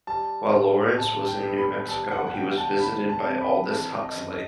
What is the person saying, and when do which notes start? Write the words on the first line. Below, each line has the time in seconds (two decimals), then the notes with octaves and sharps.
While Lawrence was in New Mexico, he was visited by Aldous Huxley.
0.07 G3 A5
0.52 A2
0.98 A2 A5
1.28 G5
1.44 B3
1.58 B5
1.88 G3 A5
2.11 F#5
2.27 F#5
2.34 B2 G5
2.58 A5
2.79 B2 B5
3.09 A5
3.25 C4
3.40 B5
3.70 E3 A5
4.00 D#5
4.16 F#2
4.31 D#5